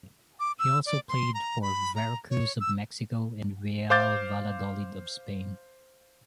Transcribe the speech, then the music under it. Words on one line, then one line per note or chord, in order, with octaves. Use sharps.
He has also played for Veracruz of Mexico and Real Valladolid of Spain.
D6
E6
D5
C6
A#5
B5
A#5
C#5
E6
C5 F5 D6 G6 A6